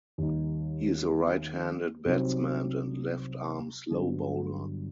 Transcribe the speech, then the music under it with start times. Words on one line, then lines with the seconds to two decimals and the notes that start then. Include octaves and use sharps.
He is a right-handed batsman and left-arm slow bowler.
0.18 D#2 D#3 G3 D#4
2.05 C2 C3 F#3 C4 D#4
3.91 G1 G2 F#3 B3